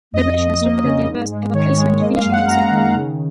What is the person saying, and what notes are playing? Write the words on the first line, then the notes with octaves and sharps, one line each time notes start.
The Russians recorded their best ever placement, finishing in second.
F2 D#5
F2
A#3
C#3
G#2
G#3
D#3 C#5
G#3
A#3 D#5
F5
F#2
F#5
F#2 A#5
D#3
C#3